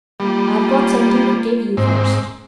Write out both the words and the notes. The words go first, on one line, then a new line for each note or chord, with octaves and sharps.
I've got something to give you first.
G3 A#3 F4
G#2 C4